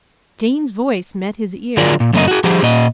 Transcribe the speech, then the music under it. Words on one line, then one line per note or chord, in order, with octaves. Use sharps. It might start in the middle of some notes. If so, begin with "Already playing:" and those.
Jane's voice met his ear.
D3 F#3 F4 G#4 A#4 D5
A#2
F#2 C#3 A3 A#3 D#5
F#4 G#4
F3 G4 G#4 C5
A#2 D#5